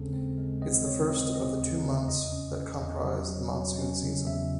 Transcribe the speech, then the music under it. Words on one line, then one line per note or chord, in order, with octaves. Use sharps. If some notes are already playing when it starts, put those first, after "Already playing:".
It is the first of the two months that comprise the monsoon season.
Already playing: D#2 C#3 G#3 C4 A4
C4
G#3
C4 D#5
C4 C#5
C4 D#5
C4 D#5
D#2
C#3
E2 D#5
C#4
C#4
E2 D#5
F#3
F#3
F#3
C#4
C#3
E2 E5